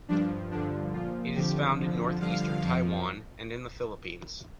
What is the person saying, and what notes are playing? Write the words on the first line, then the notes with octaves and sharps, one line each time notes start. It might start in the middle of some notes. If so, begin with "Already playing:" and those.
It is found in north-eastern Taiwan, and in the Philippines.
G2 F3 D4
G2 D3 F3 D4
A#2 F3 F4
F2 D3 F3 G4
F2 D3 F3
G2 D3 F3 F5
F2 F3